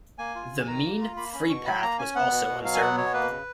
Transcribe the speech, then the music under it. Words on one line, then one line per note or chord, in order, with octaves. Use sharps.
The mean free path was also uncertain.
A#3 G#5
F4
F2
G#5
D#3 A#5
A#3
F4
A#3 B5
C#4 B5
B2 C#6
F#3 B5
A#3 A#5
C#4 G#5
B3 F#5
B2
B2
F#3 F5
G#5
B3 F#5
B2 C#5
A#3 B4
C#3